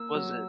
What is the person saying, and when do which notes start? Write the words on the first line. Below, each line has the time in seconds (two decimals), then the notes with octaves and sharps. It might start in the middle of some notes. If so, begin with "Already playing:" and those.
Was it
Already playing: A#3 E6
0.15 F#3